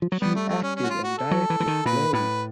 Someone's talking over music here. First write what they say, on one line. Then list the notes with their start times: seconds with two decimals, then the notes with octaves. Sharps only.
She acted and directed plays.
0.02 F3
0.12 F#3
0.21 G3 B3
0.35 A3
0.48 A3
0.62 C#4
0.76 C#4
0.84 F#4
0.90 F4
1.03 F#4
1.18 A4
1.31 F#3
1.50 E3
1.60 E3
1.67 D#3
1.86 A#2 B4
2.13 A2 B4